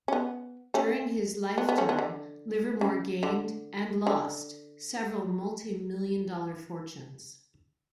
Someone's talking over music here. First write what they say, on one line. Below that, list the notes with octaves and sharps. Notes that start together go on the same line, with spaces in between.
During his lifetime, Livermore gained and lost several multimillion-dollar fortunes.
C#4
B3
A3 C#4
B3
B3
A3 C#4
B3
D3
C#3
D3
D3